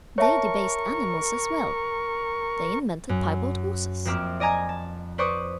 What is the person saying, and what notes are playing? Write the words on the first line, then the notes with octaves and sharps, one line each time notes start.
They debased animals as well; they invented piebald horses.
A#4 C#5 E5 A5 C#6
F#2
F2 A#3 C4 E5 D6 F6
D5 D#5 G#5 A#5 G#6
A5
B4 C5 D5 C#6 D#6 G6